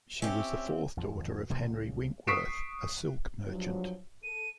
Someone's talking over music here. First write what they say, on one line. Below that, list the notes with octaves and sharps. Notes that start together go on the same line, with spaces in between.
She was the fourth daughter of Henry Winkworth, a silk merchant.
C4 C#4 G4 E5
G#1 F2 F3
B2 D3 D#3 A#3
C2 C#3
C#6 D#6 B6 C7 D7 E7
G2 F3 F#3
A4 D#7